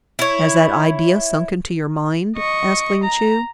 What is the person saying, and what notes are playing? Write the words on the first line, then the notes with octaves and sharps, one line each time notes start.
"Has that idea sunk into your mind?" asked Ling Chu.
E4 C#5
D#5 C#6
A#5